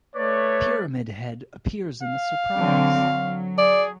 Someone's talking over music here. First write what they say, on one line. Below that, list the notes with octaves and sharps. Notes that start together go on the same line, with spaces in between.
Pyramid Head appears in the Surprise!
A3 B4 C#5 D5
F5
D3 F#3 C4
F#3
G#4 D5